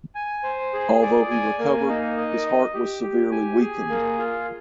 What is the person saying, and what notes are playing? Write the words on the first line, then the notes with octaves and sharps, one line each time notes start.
Although he recovered his heart was severely weakened.
G#5
C5
G#4
D5
G#5
A#3
D#4
D#5
D#5
G4
G4
G#5
G#4
A#3
F4